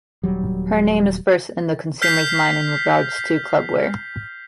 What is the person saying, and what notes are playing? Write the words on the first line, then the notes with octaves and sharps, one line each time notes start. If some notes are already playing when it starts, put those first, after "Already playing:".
Her name is first in the consumers mind in regards to club wear.
D#1 F#3 G3
F6 G6 B6 C7 F7